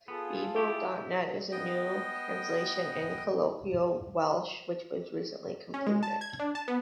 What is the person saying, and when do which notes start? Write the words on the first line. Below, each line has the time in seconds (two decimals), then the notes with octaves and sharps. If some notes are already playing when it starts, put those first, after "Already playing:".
Beibl dot net is a new translation in colloquial Welsh which was recently completed.
0.08 B3 F4 G#4 A4
0.56 E4 G4
1.52 B3 D#5 G5
5.74 C#4
5.87 G#3
6.03 A5
6.21 G#6
6.40 D4
6.55 A5
6.68 B3